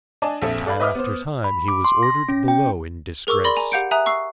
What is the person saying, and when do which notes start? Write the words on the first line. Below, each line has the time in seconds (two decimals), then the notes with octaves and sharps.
Time after time he was ordered below in disgrace.
0.22 D4 D5 D#5 G#5 A5
0.42 A#1 F2 A4 E5
0.66 A4 D5 F5 B5
0.80 B4 D#5 E5 D6 D#6 F6
0.95 B3 C5
1.44 B5
1.68 D6
1.84 C6
2.03 A#6
2.29 C#4
2.48 G5
3.27 G#4 A#4 C#6 D6 E6
3.44 D5 B5 C6 A#6 F#7 G7
3.57 G#5 A#5
3.72 G4 F5 F#5 G6 C#7 D7
3.91 E5 G#5 A#5 D#6 F#6
4.06 C#6 E6 C7